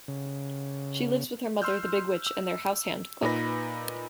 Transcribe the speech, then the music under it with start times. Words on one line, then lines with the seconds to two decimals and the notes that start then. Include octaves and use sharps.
She lives with her mother, the Big Witch, and their house-hand, Cook.
0.08 C#3
1.62 C6 E6 F6 G6
2.27 E6
3.22 A#2 D#4 B4 B5 A#6